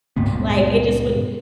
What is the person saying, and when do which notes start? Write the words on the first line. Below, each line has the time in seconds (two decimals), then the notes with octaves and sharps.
like, it just would
0.16 C#2 G2 A#2 B3